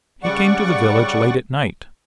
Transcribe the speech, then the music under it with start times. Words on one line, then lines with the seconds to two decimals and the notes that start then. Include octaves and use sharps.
He came to the village late at night.
0.23 C#3 G3 D5 F#5 C#6